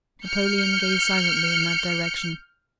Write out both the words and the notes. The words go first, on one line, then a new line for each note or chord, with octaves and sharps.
Napoleon gazed silently in that direction.
F6 G6 C#7